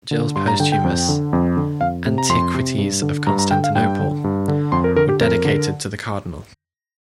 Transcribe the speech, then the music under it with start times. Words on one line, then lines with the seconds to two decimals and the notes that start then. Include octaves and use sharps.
Gilles' posthumous "Antiquities of Constantinople" were dedicated to the Cardinal.
0.11 D3
0.36 G2 C6
0.48 A#5
0.60 D3 G5
0.72 G5
0.84 F2
1.09 D3
1.33 F2
1.57 D3
1.81 F2 F5
2.06 C3
2.18 A#5
2.29 F2 C6
2.54 C3
2.78 G2
3.02 D3
3.27 G2 A#5
3.39 A#5
3.51 D3 G5
3.64 F5
3.75 G2 G5
3.99 D3
4.24 G2
4.48 D3
4.72 F2 C6
4.84 A#4
4.96 D3 A#4
5.09 G4
5.21 F2 A#4
5.45 D3